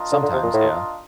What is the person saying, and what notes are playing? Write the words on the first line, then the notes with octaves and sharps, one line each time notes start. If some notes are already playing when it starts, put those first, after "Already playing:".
Sometimes, yeah.
Already playing: D4 F4 A#4 D#5
D3
D3
C3
A#2
A2